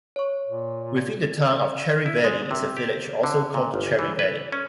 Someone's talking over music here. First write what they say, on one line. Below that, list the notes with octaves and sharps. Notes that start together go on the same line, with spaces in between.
Within the Town of Cherry Valley is a village, also called Cherry Valley.
C#5 C#6
A#2
E4
G#3
C3
G4
D3
A#2
G1
E3
B4
C#4